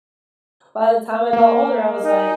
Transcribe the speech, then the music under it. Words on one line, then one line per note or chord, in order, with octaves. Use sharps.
by the time I got older, I was like,
A#3
D#4 A#4 G#5